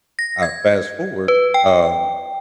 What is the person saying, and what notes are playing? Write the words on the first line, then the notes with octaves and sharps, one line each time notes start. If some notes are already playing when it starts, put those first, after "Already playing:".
I fast forward, um,
A#6
G#6
B4
G5